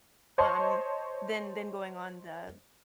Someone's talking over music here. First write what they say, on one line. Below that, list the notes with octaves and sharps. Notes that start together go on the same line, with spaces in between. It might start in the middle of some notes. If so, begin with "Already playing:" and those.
um, than than going on the
C5 C#5 D#5 A5 C6 C#6